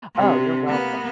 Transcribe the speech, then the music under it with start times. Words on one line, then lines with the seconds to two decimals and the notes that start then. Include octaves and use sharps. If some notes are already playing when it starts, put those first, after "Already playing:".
Oh, you're welcome.
0.15 C3 D4
0.68 A#3 B3